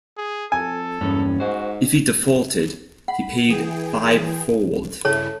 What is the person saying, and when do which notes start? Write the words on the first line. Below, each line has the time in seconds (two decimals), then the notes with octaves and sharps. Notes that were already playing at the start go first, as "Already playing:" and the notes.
If he defaulted, he paid fivefold.
0.18 G#4
0.52 F2 A4 G#5
1.01 F#1 E2 G2 C#4
1.40 G#2 F#4 C5
3.08 F#5 B5
3.48 E3 G#4 G5
5.05 G2 C#3 E4 A4 C#5 A5